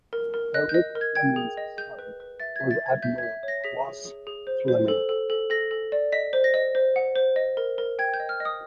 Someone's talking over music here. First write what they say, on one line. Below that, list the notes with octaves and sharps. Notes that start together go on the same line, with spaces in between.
Erik Fleming's son was Admiral Klaus Fleming.
A#4
A#4
D#5 F#6
G6
D#5
A#4
G#6
G5 G#6
G#4
D#5
G#4 G6
B4
B4
E5 A6
G#6
E5
A6
E5 G#6
E5 G6
G#6
E5
C#5
A#6
G#4 B6
G#4
G#4
G#4
C5
C5
A4
A4
A4
A4 A#6
A4
D5
D#5 B6
C5
A#6
D#5
C5
F#5
C5
D#5
A#4
A#4
G5 G#6
G6
D#5
F6
D#5
D#6